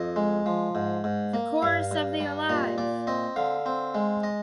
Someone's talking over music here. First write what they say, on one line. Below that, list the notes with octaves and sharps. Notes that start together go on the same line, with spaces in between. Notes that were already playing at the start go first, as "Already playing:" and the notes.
The chorus of the Alive!
Already playing: F2 D#5
G#3
F3
G#2
G#2
A#3
G2 F5
G2
G3
A#2 D#5
A#2 D5
C4 D#5
D3 F5
C4
G#3
D#5